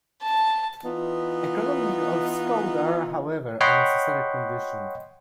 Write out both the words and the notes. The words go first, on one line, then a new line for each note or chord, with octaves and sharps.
Economies of scope are, however, a necessary condition.
A5
E3 B3 D#4 F4
C#5 D#5 F#5 G5 B5 C6